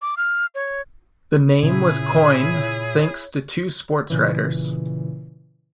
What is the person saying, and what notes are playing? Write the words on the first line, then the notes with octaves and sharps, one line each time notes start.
The name was coined thanks to two sportswriters.
D6
F6
C#5
A#2 C#3 E4 G#4 C#5
A#2 C#3 E3